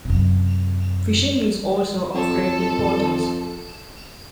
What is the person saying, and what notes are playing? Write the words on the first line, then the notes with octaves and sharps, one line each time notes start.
Fishing is also of great importance.
F#2 C3
F2 A4